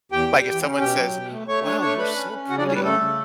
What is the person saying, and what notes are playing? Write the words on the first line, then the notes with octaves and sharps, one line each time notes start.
Like, if someone says, "Wow, you're so pretty."
E2 G4 G5
G3
E2
C#4
B2 G4 G5
F#3
B2
A3
A3 C#5 C#6
D4 C#5 C#6
A3 C#5 C#6
D4 B4 B5
C#4
C#4
C#3 F#4 F#5
D4 D5
G3 C#4 C#5
B3 B4
C#3 A3 A4
C#3